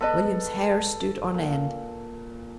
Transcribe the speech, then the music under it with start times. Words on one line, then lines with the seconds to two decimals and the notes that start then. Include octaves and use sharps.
William's hair stood on end.
0.01 B3 A4 B4 D#5
1.34 A#2